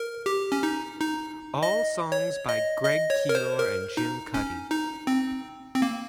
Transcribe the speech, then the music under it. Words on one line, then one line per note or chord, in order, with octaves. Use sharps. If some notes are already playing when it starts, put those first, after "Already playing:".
All songs by Greg Keelor and Jim Cuddy.
Already playing: A#4
G4
C#4
D#4
D#4
D#5
C#5
D#5
D#5
C#5
A#4
C5
A#4
D#4
C#4
D#4
C4
C4
A#3